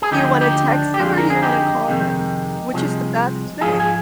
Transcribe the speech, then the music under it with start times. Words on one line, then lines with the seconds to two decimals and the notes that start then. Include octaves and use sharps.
Do you wanna text him or do you wanna call him? Which is the best thing?
0.02 G#4
0.11 D2 D3 F3 D#4 G4
0.41 D#4 G4
0.70 D4
0.94 G4
0.99 F2 D3 G#3 D4 F4
1.17 A#4
1.30 G#4
1.42 D#4 G4
1.87 F2 C3 D#3 G#3
2.74 C2 C3 F3 G#3
3.61 G#2 F3 G#3 F4 G#4
3.80 G#4